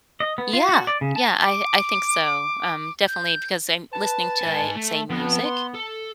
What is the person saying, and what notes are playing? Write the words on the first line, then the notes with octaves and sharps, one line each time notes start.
Yeah, yeah I I think so, um, definitely because I'm listening to, li say, music,
D#5
B3
F4
F#4
D5
C#3
A5
D6
G6
B4 A5
D#4 G#5
A3
F2 B3
C6
A4